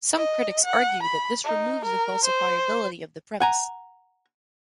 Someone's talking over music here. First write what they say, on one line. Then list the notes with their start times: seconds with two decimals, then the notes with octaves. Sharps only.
Some critics argue that this removes the falsifiability of the premise.
0.17 D#5
0.64 F#5
1.03 B5
1.44 D#4
1.86 A#4
2.25 C5
3.40 F#5 G#5 A#5